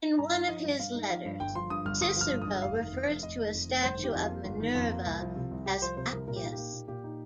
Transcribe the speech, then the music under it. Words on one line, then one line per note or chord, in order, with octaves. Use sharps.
In one of his letters, Cicero refers to a statue of Minerva as "Appias".
G2 A#5
D#4
F3 D#5
G2
G2 F5
D#4
F3 F5
G2
G1 G5
F3 C6
G2 D#6
G1 F6
G1 D#6
F3 F6
G2
D#6
G1
F1 F5
D#3
F2
F1
F1 D#5
D#3
F2
F1
G1 C5
D#3
G4
F2
F4
A#3
G1
D#3
F2
A#3
C2
F3
C3
C2
C2 G4
F3 C5
C3 C5
C2 A#4
A#2 A#4
G4
D#4 F4
G4
A#3
A#2
A#2 G4
D#4